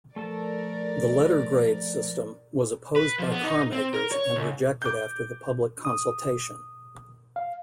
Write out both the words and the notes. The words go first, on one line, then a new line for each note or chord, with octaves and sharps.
The letter grade system was opposed by carmakers and rejected after the public consultation.
F3 A3 A4 A#4 D5 A5
B4
F3
B3
D#4
C4
A#4
C#5
C#2
D6 G6
D#6
F5